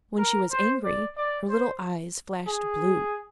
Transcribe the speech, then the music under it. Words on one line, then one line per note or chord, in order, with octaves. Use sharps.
When she was angry, her little eyes flashed blue.
A#4
C5
D5
D5
C5
G#4